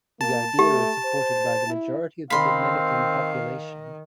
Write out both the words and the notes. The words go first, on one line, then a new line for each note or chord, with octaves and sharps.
The idea is supported by the majority of the Dominican population.
A#3 A5
A3 G4
C5
E4
D#3 C4 F5 B5 C6